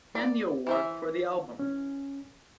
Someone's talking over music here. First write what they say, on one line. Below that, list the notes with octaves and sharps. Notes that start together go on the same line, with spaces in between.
Handy Award for the album.
D5
E3 C5 E5
C#4